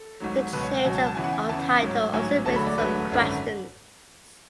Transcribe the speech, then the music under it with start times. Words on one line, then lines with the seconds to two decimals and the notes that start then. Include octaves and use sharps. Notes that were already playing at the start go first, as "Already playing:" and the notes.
The change of title also raises some questions.
Already playing: A4
0.20 G#1 G#2 F#3
0.53 C#2 B2 F#3 B4
0.63 C#5
0.79 F#5
0.85 C#2 B2 F#3 G#5
0.95 A5
1.06 A5
1.15 E2 C#3 E3 G#5
1.24 F#5
1.33 G#5
1.49 E2 C#3 E3 A5
1.81 A1 G#2 F#3
2.13 A1 G#2 F#3 G#5
2.45 E1 D2 D3 F#3 A5
2.56 B5
2.67 D5
2.78 E1 D2 D3 F#3 B4
3.10 G#1 F#2 D3